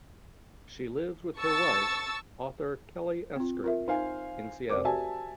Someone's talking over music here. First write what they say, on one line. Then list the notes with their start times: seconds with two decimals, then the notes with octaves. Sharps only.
She lives with her wife, author Kelley Eskridge, in Seattle.
1.40 A5 C#6 E6 A6
3.36 C4 F4
3.64 F4 A#4 E5
3.88 D#4 C5 F5 G#5
4.69 F1 A#4 C5 D5 D6
4.85 F#4 G4 E5 G#5 A5